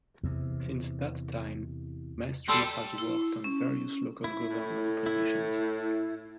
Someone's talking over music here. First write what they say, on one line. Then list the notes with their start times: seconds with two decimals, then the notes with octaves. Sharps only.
Since that time, Maestri has worked in various local government positions.
0.23 E2 C3
2.49 G3 A4 C6
2.98 E4
3.44 C#4
4.24 E4
4.50 A2
5.06 E4